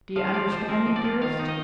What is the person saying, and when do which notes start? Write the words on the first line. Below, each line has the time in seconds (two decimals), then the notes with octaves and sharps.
Do you understand me, dearest?
0.16 F3 F5
0.33 F4 D5
0.52 F3 C5
0.68 C4 A#4
0.86 F3
0.96 D5
1.04 F4
1.21 D#3 F5
1.39 D#4
1.48 D#5